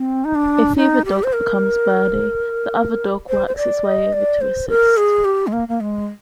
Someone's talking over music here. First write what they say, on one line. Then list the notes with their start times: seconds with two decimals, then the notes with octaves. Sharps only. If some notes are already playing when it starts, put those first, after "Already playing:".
If either dog becomes birdy, the other dog works its way over to assist.
Already playing: C4
0.25 D#4
0.35 D4
0.77 D#4
1.05 G4
1.24 C5
1.33 A#4
3.29 C5
3.47 C5
3.57 D5
3.85 D#5
4.13 D5
4.41 C5
4.69 A#4
4.97 G#4
5.25 G4
5.47 G#3
5.53 A#3
5.68 A#3
5.81 G#3